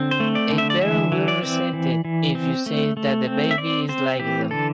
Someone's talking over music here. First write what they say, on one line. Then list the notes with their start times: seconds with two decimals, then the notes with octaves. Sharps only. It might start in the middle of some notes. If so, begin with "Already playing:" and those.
A parent will resent it if you say that the baby is like them.
Already playing: D3 C4
0.11 C5
0.20 A3
0.35 D5
0.50 D3
0.58 E5
0.70 D5
0.81 E3 E5
1.12 E3
1.28 D5
1.43 C4
1.73 E3
2.05 E3
2.35 C4
2.66 A3
2.97 A3
3.27 C4
3.51 E5
3.58 C4 D5
3.89 C4 C5
4.20 E3 G4
4.51 D3 A4